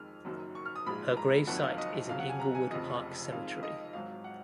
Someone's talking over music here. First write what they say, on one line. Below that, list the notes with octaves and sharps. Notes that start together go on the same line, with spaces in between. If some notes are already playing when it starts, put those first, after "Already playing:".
Her gravesite is in Inglewood Park Cemetery.
Already playing: F2 D#3 G#3 F6
F#1 F#2 D#3 F#3
C#6
F6
D#6
A#1 G#2 F3 G#3 B5
A#5
F#1 F2 D#3 F#3 F#5
F5
D#5
F2 C#3 F#3 F5
F#5
G#5
A#5
G#5
F1 F2 C#3 F3 D#5
F2 D#3 G#3 F5
F5
D#5
G#1 G#2 F#3 F5
F#5